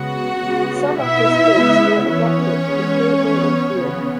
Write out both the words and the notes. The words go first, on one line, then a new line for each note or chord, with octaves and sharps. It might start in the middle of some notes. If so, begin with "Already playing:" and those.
Some of his books were adapted to theatre and film.
Already playing: C#3 G#3 B3 F#4 F#5
C#3 G#3 B3
B2 B3 E4 E5
C#3 G#3 B3
E3 B3 C#4 C#5
E3 G#3 B3
E3 B3
C#3 E3 B3